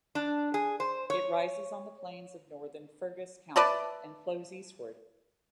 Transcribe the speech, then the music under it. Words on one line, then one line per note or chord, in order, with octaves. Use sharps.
It rises on the plains of northern Fergus County and flows eastward.
D4
G#4
C5
C#5
B4 D5 E5 A5